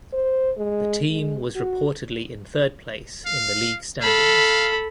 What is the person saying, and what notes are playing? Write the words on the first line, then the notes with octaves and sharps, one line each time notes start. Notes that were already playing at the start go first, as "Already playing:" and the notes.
The team was reportedly in third place in the league standings.
C5
G#3
G#3
F#4
F5
A4 F5 B5